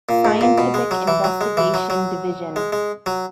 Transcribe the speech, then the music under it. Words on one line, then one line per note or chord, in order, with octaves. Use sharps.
Scientific Investigation Division.
A#2
G#2
A#2
B2
G#3
F#3
E3
F#3
G#3
E3
F#3
F#3
G#3
G#3
F#3